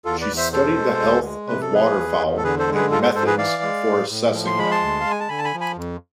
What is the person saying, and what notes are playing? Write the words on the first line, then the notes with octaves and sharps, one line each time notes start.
She studied the health of waterfowl and methods for assessing them.
E2 F4 A4
B4 D5
E2
C5 E5
B2 A4 C5
G#3
D2
G#3
C3 B4
A4
F3 G#4 B4
E2
E2
A4
D3 G#4 B4
A4 C5
G#3
G#4 B4
G#2 F4 A4
A4 C5
G#2 A4 C5
G#4 B4
E3 D5 F5
G#3
A2
A2
F3
C6
G#3 B5
A5 C6
D2
G#3 F5
G#5
A5
D3 G#5 B5
A5
G#5 B5
F3
G#5 B5
F2